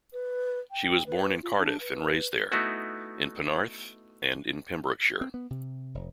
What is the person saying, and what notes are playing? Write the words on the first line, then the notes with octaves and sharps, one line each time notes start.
She was born in Cardiff and raised there, in Penarth, and in Pembrokeshire.
B4
G5
B4
F4
D4
B4
A3 B3 D#4 E4 F#4
C4
B3
C3
F1